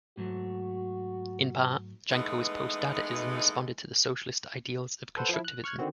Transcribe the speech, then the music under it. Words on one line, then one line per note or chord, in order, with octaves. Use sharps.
In part, Janco's post-Dadaism responded to the socialist ideals of Constructivism.
G#2 F#3 A3 F#4
E3 G#3 A3 B3 D#4
A4 B4 C5 F#5
F3 E4
F#6
C#6 F6 F#6 G#6
D3 D#3 C4 F#4